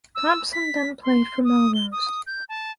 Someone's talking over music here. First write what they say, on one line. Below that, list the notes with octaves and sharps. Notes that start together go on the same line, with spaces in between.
Thomson then played for Melrose.
E6
B6
C6
D#6
G7
D#6
G6
A5